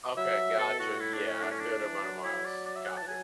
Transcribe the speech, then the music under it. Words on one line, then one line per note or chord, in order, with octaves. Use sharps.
Okay, gotcha, yeah, good amount of miles. Copy.
F#3 E5
B2 A4
A2 F#4
E4
D4
C#4
D4
C#4
D4
E3
F#3
E4
D5
D5
E5
F#5
A5
E3
F#3 G#5